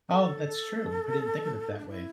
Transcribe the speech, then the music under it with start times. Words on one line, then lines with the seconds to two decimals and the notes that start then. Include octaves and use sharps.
Oh, that's true. I didn't think of it that way.
0.10 A4
1.79 D4
1.89 E4